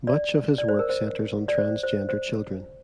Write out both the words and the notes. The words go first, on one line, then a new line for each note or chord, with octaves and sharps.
Much of his work centers on transgender children.
D5
D5
C5
A#4
C5
D5
C5
C5
C5